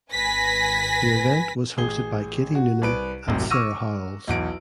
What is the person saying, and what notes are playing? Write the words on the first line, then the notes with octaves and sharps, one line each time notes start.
The event was hosted by Katie Noonan and Sarah Howells.
G#1 B4 G#5 A#6 B6
A1 G#4 G7
F#4
C2 B4 D7
E1 A1 F#2 C3
C#6 D6 E6 F6 A#6 D#7
B1 E2 D7